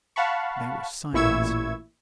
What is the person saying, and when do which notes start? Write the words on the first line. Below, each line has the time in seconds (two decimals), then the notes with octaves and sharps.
There was silence.
0.16 F5 F#5 A5 B5 C#6
1.13 A1 A#2 E4 C#6 E6 G#6